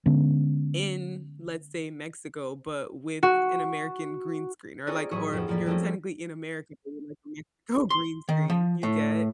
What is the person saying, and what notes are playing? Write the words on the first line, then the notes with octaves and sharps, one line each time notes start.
in, let's say, Mexico, but with an American green screen, or, like, or you're technically in America, like, a Mexico green screen, you get?
D3 G#3 B3 C#4
F#4
C4 D#4 F4 G#4 C#5 D5
A1 F#3 F#4 G#4 C#6 B6
F2 B3
F2 F3 A#3 D5 B6
F3 G3 A3 C4 C#4
C6
D#3
F3
A2